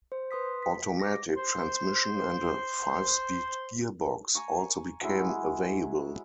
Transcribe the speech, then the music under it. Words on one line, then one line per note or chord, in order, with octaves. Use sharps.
Automatic transmission and a five-speed gearbox also became available.
C5
B4 C6 D#6 B6
B6
D6 A#6
C5 C6
G#5 A#5 C#6
F#3 G#3 E4